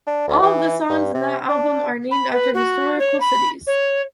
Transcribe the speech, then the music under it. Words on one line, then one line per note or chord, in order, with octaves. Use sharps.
All of the songs in that album are named after historical cities.
D4
D2
E3
G2
C3
D4
B5
B4
F#4
C#5
B5
C#5